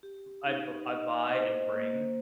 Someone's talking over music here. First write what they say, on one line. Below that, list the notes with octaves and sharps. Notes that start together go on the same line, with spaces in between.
I b I buy and bring
G4
D#4
D#5
C5
A#3